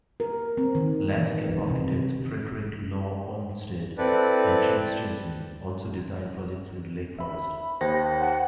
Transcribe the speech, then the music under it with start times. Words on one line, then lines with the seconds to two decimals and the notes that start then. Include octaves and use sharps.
Landscape architects Frederick Law Olmsted and Jens Jensen also designed projects in Lake Forest.
0.20 A#4
0.57 C4
0.75 D#3
1.17 E3
1.68 C3
3.98 C4 E4 A4 B4 D5
7.19 E5 B5
7.81 D#2 C5 G5 A#6
8.21 F#5